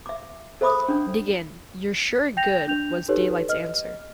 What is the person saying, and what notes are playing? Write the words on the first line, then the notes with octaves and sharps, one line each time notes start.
Dig in; you're sure good, was Daylight's answer.
E5 D6
A4 C5 E5 B5 D6 D#6
C#4 D4
G5 G6 A#6 F7
D4 G6 F7
D#4 G4 A4 B4 C#5
D#5 F6